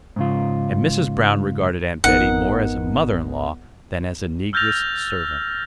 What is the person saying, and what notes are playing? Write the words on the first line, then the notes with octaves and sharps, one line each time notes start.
And Mrs. Brown regarded Aunt Betty more as a mother-in-law than as a negress servant.
G#2 C#3 F4
G#1 B3 D#4 A#4 F#5
E6 F6 G6 A6 A#6 F7